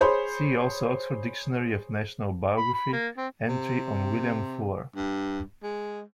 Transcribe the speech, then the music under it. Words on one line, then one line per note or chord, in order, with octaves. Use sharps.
See also "Oxford Dictionary of National Biography", entry on William Fuller.
G#4 C5 C#5 B5 C6
B5
B5
A#3
C4
C3
G2
G#3